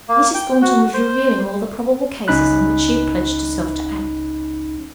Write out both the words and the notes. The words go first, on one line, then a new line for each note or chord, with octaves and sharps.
Mrs. Thornton was reviewing all the probable cases in which she had pledged herself to act.
A#3
G5
F#4
C5
G#1 C#2 C#4 D#4 B5 F#6